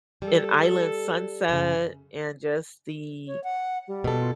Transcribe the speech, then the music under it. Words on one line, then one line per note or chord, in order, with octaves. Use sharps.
an island sunset and just the
G3 A4
F#2 C#3
C#5
F#5
G3
B2 A4
F4